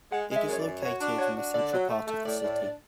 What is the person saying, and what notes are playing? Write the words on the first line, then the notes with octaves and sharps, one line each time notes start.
It is located in the central part of the city.
G#3 F#5
G#3
E5
F#2
C#5
D5
F#2
F#4 C#5
D4
F#4 C#5
D4
D3 D5
F#3
A3
A3
A2 D5
A2
D4